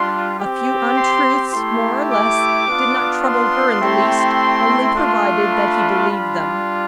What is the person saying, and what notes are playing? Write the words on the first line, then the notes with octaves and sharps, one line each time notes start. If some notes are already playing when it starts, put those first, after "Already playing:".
A few untruths, more or less, did not trouble her in the least, only provided that he believed them.
Already playing: G3 D4 F4 C6
C4 G4
C6
A3 E4 G4 C6
D6
B3 D4 F4
C6
A3 C4 E4 G4
A3 D4 F4
B5
G3 D4 F4